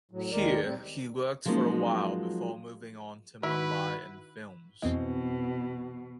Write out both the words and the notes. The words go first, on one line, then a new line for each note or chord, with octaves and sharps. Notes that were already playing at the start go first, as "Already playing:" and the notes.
Here he worked for a while before moving on to Mumbai and films.
A2 F#3
D#2 D#3 G#3 A#4 D5
G3 C4
F3 F#3 G#3 A#3 C#4 D#4
D#3 E4 F#4 B4
F2 B2 E3 B3 C4 D#5